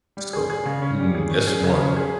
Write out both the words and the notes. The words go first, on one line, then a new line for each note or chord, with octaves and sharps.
So, mm, that's smart.
G3
G#4
G#4
C#3
C#4
G3
G#4
C#4
G#4
C#3
C#4
G#4